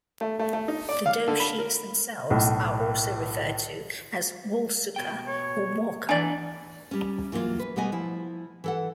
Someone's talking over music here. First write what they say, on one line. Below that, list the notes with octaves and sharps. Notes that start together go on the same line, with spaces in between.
The dough sheets themselves, are also referred to as walsouka or warka.
A3
A3
A3
D#4
D5
F5
D3
B5
A#4
B1 A2
B2 G5
C#5
E3 B3 D4 D#4 D5 G#5
G3 C#4
E3 F#3 A#3 D4 F4
B4
B2 G3 A3 B3 D#5 G#5
F3 E4
E3 A4 F#5